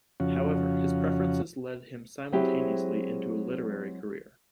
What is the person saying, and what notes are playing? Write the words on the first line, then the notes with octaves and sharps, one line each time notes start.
However, his preferences led him simultaneously into a literary career.
F2 C#3 F3 C#4 F#4
F#3 G#3 C4 E4 G4